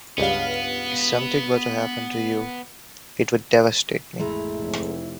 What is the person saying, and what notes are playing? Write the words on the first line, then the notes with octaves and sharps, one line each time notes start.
If something were to happen to you, it would devastate me.
C#2 G2 B3 F5
G#1 E2 G#3 A3 E4 A#5
F1